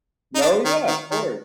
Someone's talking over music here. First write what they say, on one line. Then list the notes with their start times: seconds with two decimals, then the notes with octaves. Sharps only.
No, yeah, of course.
0.35 D#4
0.41 D4
0.65 D#3
0.87 D#3
1.11 D#3